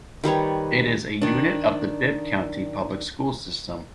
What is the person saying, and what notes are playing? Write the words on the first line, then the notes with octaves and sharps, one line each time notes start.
It is a unit of the Bibb County Public School System.
D#3 G3 B4 C#5
D#3 D4